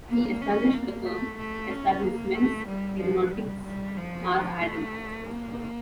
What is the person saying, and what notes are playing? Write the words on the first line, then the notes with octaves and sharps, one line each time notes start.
He established the firm Etablissements Aeronautiques R. Adam.
A#3
C#4
A#3
A3
A3
C#4
A#3
A3
G3
F3
G3
G3
F3
A3
A#3